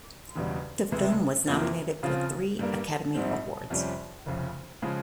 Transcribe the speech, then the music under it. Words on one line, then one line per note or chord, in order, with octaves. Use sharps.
The film was nominated for three Academy Awards.
E1 E2 C#3 G3
C#2 C3 E3 G#3 E4
F2 C3 F3 A#3
C#3 F3 C4 F4
G2 G3 A#3
A#1 G#2 G3 C4
F2 C3 G3 C#4
F1 F2 C#3
C#3 F3 G#3